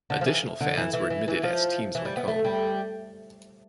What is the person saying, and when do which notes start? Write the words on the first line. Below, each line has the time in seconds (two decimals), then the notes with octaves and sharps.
Additional fans were admitted as teams went home.
0.10 D3
0.21 F3
0.26 E3
0.61 D3
0.77 E3
0.93 E3
1.10 E3
1.28 E3
1.43 F3
1.95 E3
2.05 G3
2.17 B3
2.28 A3
2.45 G3